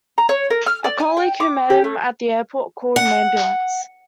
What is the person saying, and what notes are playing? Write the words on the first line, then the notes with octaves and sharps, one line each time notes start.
A colleague who met him at the airport called an ambulance.
A#5
C#5
A#4
F6
D5
G#5
G5
D6
G4
A3
F#5